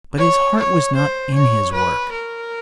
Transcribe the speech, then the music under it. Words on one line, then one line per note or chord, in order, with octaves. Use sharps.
But his heart was not in his work.
C#5
C#5
C5
C#5
B4
A#4